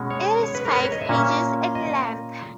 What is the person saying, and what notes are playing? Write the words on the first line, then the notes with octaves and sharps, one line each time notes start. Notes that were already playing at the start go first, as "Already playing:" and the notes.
It is five pages in length.
Already playing: B2 G#3 C#4
C#5
C#5
B4
A#4
C#5
B4
C#5
D#5
E5
A#2 A#3 C#4
D#5